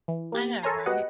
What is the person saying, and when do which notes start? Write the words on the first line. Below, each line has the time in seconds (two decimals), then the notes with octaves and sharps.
I know, right?
0.08 E3
0.32 A#3 G4
0.63 A4 A#4 C#5 G#5 A#5 C6
0.86 B3 F#4 G4 B4 D#5 F#5